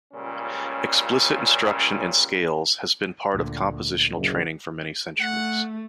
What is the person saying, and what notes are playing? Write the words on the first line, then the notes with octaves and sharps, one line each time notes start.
Explicit instruction in scales has been part of compositional training for many centuries.
C#2 A#2 C#3 G3 C#4
D2 A#2 D3
F#1
A3 F#5